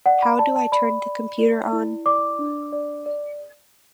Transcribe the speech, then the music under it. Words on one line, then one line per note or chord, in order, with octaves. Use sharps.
How do I turn the computer on?
D5 F#5
B5
D5 A5
A5
D5 B5
D5
D5
E4
D5 D6
D4
D5
D5